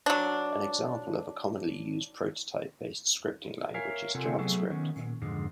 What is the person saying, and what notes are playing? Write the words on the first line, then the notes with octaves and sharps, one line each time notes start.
An example of a commonly used prototype-based scripting language is JavaScript.
F#3 D4
A#4 C#5 E5 F5 G#5 A#5
C3 C4 F4 A4 F#5 G#5
F#3 A3 B3 F#4 G#4 A4
D#3 B3 C#4
A#2
F2 G#2 D3 G#3